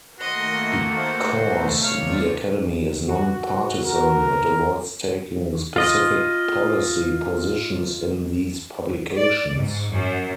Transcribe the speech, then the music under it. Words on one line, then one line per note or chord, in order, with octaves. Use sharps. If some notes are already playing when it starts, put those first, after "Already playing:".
Because the Academy is non-partisan, it avoids taking specific policy positions in these publications.
D#3 A3 A#3 F#4 D#5 C6
C5
B2 A3 D#4
C3 C#5 D5 F5
F#4
A#4
F4 D#5
D5
G#2
F#2